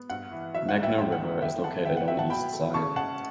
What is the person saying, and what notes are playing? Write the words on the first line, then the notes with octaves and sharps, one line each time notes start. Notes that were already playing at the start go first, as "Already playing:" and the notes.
Meghna River is located on East side.
Already playing: B3
G2 F#5
E3
F#3 E5
F#5
C#2
E5 G5
F#1 E5 G5
F#5
F#2
B3 E5 G5
B3 F#5 A5
A1 E5 G5
F#5
F#3 E5 G5
F#5 A5
B2 G5 B5
A3
C#3 A5 C#6
C#3 F#5 A5